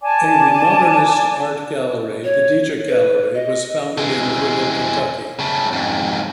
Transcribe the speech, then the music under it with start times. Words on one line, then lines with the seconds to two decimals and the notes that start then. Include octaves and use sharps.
A Remodernist art gallery, The Deatrick Gallery was founded in Louisville, Kentucky.
0.01 D5 G#5 A5 D6
2.24 C#5
2.88 B4
3.34 D#5
3.98 E3 G#3
5.39 C#3 A3
5.73 F2 G#2